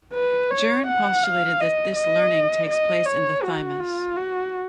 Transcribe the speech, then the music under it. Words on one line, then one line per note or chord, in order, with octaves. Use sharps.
Jerne postulated that this learning takes place in the thymus.
B4
C#5
F#5
F5
D#5
D#5
D#5
C#5
F#4
F4
F#4